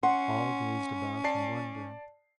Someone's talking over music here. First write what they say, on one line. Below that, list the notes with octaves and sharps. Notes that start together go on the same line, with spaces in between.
All gazed about in wonder.
C#4 F#5 C6
D5 A5 C7